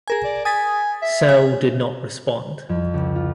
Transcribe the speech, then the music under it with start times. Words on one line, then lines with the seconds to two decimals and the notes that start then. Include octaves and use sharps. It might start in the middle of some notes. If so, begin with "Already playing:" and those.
Searle did not respond.
0.08 G#4 A#4 G#5
0.24 D5
0.45 G#5 D#6 A6 B6
1.02 E5
1.29 G#5
2.69 F2
2.94 C#2
3.15 F4